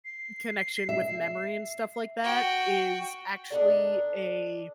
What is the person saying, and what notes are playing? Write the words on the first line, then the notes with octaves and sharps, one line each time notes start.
connection with memory and stuff like that is actually a
C7
E5
F#4 G5
D4 D#4 A4 D5